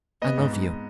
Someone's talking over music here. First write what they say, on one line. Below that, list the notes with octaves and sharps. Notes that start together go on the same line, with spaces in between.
"I love you!"
B3 D#5
G#2
G#2